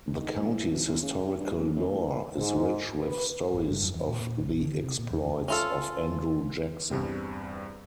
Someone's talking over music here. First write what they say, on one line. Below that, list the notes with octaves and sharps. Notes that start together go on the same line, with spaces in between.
The County's historical lore is rich with stories of the exploits of Andrew Jackson.
D#3
D#1
E3
B1
E2
C#3
G2
F#1
F#2
A1
G#2
B4
G#1
G2
F#2
E2
A#2
A#2
A#1
D3
C3
A#2
E2
C#4 F4 A4
E2 G2 G3 C4